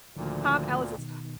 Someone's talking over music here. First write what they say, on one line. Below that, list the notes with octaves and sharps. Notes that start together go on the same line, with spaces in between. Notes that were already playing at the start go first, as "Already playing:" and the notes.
Tom Ellis is h
D2 A#2 D3 D#3 F3
B2 D#3